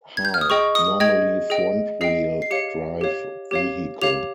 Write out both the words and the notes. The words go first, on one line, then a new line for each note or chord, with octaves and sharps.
How: Normally front-wheel drive vehicle.
G#6
G6
F6
D#6
G#4 D#5 G5 C#6
D#6
G#4 D#5 G5 G#6
G#4 D#5 G5
G#4 D#5 G5 C7
C7
G4 C#5 F5 C#7
G4 C#5 F5
G4 C#5 F5
G4 C#5 F5 F7